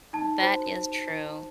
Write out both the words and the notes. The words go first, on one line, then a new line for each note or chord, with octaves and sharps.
That is true,
D#4 A5
F#4 C5